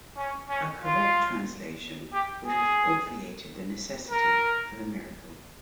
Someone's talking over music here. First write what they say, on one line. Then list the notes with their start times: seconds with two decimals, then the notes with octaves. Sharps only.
A correct translation would have obviated the necessity for the miracle.
0.17 C#4
0.50 C#4
0.82 F4
2.13 G4
2.46 G#4
4.10 A#4